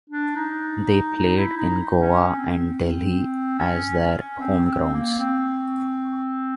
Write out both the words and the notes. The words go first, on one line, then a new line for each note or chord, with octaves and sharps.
They played in Goa and Delhi as their home grounds.
D4
D#4
D#4
E4
D#4
C#4
C4
C#4
C#4
C4
C4
A#3
C4